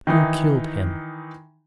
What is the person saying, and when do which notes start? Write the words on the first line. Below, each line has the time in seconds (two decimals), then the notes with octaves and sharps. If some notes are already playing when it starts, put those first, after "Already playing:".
"Who killed him?"
0.07 D#3 E3 D#4